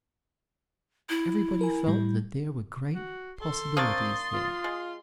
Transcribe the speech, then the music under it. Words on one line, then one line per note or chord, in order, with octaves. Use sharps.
Everybody felt that there were great possibilities there.
E4
A#4 G#5
A2 G3
F#4
A4 C6
A#3 C4 D4 C#6 D#6 A6
F4
G#3